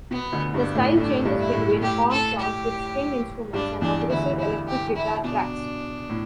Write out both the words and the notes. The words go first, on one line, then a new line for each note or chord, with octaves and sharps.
The style changes between calm songs with string instruments and aggressive electric guitar tracks.
B2 B3
D2 D3
G2 G3 D4
A2 A3
A2 A3 D4
G2 G3
E4
A2 A3
A2 A3 G4
A4
G4
G2 G3 D4
E2 E3 D4
D2 D3 E4
E4
G4
E4
B2 D4
A2